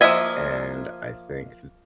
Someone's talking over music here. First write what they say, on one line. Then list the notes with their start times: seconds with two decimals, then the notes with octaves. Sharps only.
And, I think
0.01 F3 A#3 D#5 E5 G#5